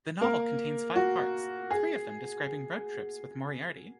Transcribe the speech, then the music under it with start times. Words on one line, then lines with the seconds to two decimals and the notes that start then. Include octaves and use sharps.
The novel contains five parts, three of them describing road trips with Moriarty.
0.21 A#3 A#4
0.96 F#4
1.70 G#4